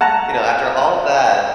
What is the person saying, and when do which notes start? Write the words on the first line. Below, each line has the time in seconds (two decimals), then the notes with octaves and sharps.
you know, "After all that,"
0.01 F#5 A5 A#5